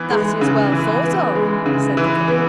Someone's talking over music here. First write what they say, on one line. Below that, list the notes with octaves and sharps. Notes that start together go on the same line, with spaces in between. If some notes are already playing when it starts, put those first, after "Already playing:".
"That is well thought of," said the King.
Already playing: E3 B3
G#3
C#3
E3
B3
G#3
C#3
E3
B3